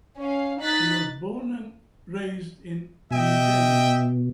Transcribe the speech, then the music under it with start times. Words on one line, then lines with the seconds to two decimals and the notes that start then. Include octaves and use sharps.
He was born and raised in New Delhi.
0.17 C#4 F5
0.60 D#4 F#6 A6 B6
3.11 B2 D#5 E5 G5